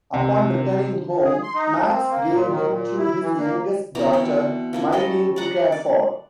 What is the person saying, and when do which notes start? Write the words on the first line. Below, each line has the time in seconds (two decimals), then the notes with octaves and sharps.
Upon returning home, Max gave him to his youngest daughter, Mylene, to care for.
0.14 C3
1.24 G#4
1.43 C6
1.54 D#4
1.82 C4
2.11 A#3
2.32 A#2
2.49 D#3
2.68 A#2
2.98 E4
3.23 E3
3.39 A#3
3.95 B2 E3 D5 A#5
4.13 B2 C4
4.73 F3 A#3 E4
4.92 G3 C#4 A4 D#5
5.36 D5 F#5 A#5
5.72 D5